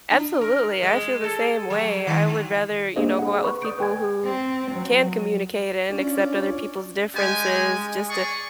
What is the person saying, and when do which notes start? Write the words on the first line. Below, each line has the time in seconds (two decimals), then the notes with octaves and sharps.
Absolutely, I feel the same way. I would rather, you know, go out with people who can communicate and accept other people's differences just to
0.10 D4
0.41 A#4
0.83 G#3
1.24 A4
1.70 F#3
2.07 D#3
2.96 A#3 D4 G4 G#4 C5 D#5
3.19 G#4 F#5
3.44 B4 B5 C#6
3.62 D5 D#6 G6 D7
3.79 B4 G5 G#5 G#6
4.25 C4
4.72 F#3
5.90 C#4 D4 F4 C#5 D5
7.15 G#3 G4 G#5
8.09 G#4 D5 C#6